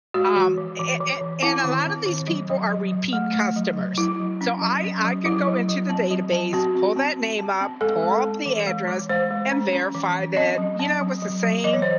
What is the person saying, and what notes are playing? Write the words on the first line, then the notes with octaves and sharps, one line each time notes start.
um, a a and a lot of these people are repeat customers, so, I I could go into the database, pull that name up, pull up the address and verify that, you know, it was the same
G#3 F#4
E3
E3
E3
E3
E3
C4 E4
D#3
C4
D#3
F#3
F#3
F#3
F#3
A3
A3
F#3
F#3
F#3 E4
F#3
C#4
F#3
C#4
F#3
F#3 E4
F#3
F#3
C4
F#3
C4
C4 F#4
C4
C4
C4
C4
C4
G#3 A4
G#3
C4
E3
G#3
E3
G#3 C5
G#3
C#4
C#4
E3
C#4
C4 D#5
F#3
C4
F#3
F#3
F#3
E3 D#5
C#5
C5